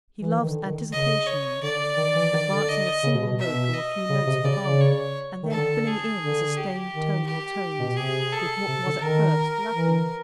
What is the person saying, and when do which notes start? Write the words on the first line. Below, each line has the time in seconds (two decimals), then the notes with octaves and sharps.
He loves "anticipations"--advancing a single note or a few notes of the harmony and then filling in the sustained tone or tones with what was at first lacking.
0.21 E3
0.35 D#3
0.49 D3
0.64 D#3
0.91 C#3 D#5
1.27 C#5
1.62 D3 D5
1.98 D#3
2.16 E3
2.33 D#3
2.51 D3
2.69 D#5
3.03 C#3
3.15 B2
3.27 B2
3.39 B2 E5
3.74 D#5
4.10 C#3
4.27 C3
4.44 C#3 D5
4.62 C#3
4.81 C#5
5.43 D#3
5.51 D3 A4
5.86 G#4
6.22 D3
6.57 G4
6.92 D#3
7.27 G4
7.79 B2
7.97 C3 G#4
8.32 A4
8.68 C3
8.86 D3
9.03 D#3 A#4
9.73 E3